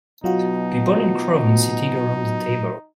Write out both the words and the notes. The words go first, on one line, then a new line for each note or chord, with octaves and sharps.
People in crowns sitting around the table.
B2 F#3 D#4 F4 F#4